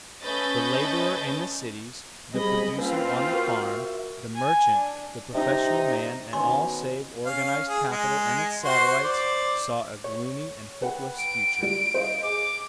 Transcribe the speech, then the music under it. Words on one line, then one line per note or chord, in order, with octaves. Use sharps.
The laborer in the cities, the producer on the farm, the merchant, the professional man and all save organized capital and its satellites, saw a gloomy and hopeless future.
A3 C#4 B4 D#5 G6 A6
G3 C4 G#4 D#5 B5
A#3 C4 C#4 F4 B4
F#4 A#4
E5
G#5
D4
C3 D#4
B2 D#3 C4 C#4 G#5 C6
C#4 F5
G#4
G#3
F#4 C5 C6
C5 D5
C#5
B4 F#5 G5
D7
G3
C5 D#5 F5
G#4 D6